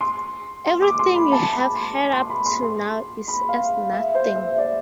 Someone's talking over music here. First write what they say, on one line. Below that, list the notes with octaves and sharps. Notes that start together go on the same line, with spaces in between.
Everything you have heard up to now is as nothing.
C6
C6
D6
C6
B5
A5
B5
C6
C6
B5
C6
C6
B5
F5
E5
C5
E5
D5